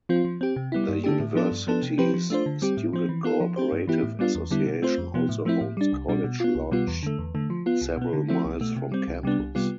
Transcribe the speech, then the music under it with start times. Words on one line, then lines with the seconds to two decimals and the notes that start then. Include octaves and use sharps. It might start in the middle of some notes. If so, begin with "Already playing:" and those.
The university's Student Cooperative Association also owns College Lodge several miles from campus.
0.09 F3 C4 F4
0.25 F3
0.41 C4 G4
0.56 C3
0.72 G3 B3 E4
0.89 G2
1.04 D3 A3 D4 G4
1.20 A2
1.35 F3 B3 D4 A4
1.51 G2
1.67 F3 B3 D4 A4
1.83 C3
1.98 F3 C4 G4 B4
2.14 F3
2.30 A3 D4 F4 C5
2.46 D3
2.62 G3 C4 G4
2.77 A2
2.93 F3 C4
3.09 E3
3.24 B3 F4 A4
3.40 F3
3.56 C4 G4 C5
3.72 G2
3.87 E3 B3 E4 G4
4.03 A2
4.19 G3 B3 D4 F4
4.35 E2
4.51 D3 G3 B3 E4
4.66 B2
4.82 A3 C4 F4 C5
4.98 F2
5.14 C3 F3 B3
5.29 A2
5.45 F3 A3 C4 E4
5.61 A2
5.77 G3 D4
5.93 C2
6.08 B2 G3 D4
6.24 B2
6.40 B3 F4
6.55 C2
6.71 B2 G3 B3 F4
6.87 E2
7.03 D3 A3
7.18 E2
7.35 D3 A3
7.50 F3
7.66 B3 F4
7.81 C2
7.97 B2 B3
8.13 D3
8.28 F3 A3 C4 E4
8.45 C2
8.61 B2 A3
8.76 C3
8.92 G3 C4
9.08 C2
9.23 C3 G3 B3 D4
9.39 C2
9.55 C3 G3 B3 F4